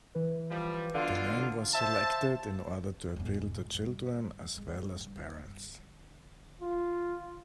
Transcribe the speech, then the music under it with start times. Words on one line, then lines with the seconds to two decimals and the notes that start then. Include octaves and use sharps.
The name was selected in order to appeal to children as well as parents.
0.15 E3 B4
0.51 F3 G3
0.95 B2 D3 F4 F5
1.74 C5 E5 A5
3.16 E1 G#2
3.74 G2
4.57 G#3
5.00 G2
6.61 F4